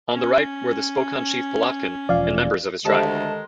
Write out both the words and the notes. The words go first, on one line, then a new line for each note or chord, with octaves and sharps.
On the right were the Spokan chief Polatkin and members of his tribe.
C#4
E1 F3 D5 F5
D2 D3 D#3 G#3 G4 C5 A5